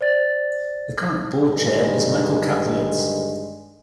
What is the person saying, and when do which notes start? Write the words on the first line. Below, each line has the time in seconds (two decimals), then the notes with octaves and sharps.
The current board chair is Michael Kaplowitz.
0.01 C5 D5 A6
1.49 G2 D3 D#3 G#3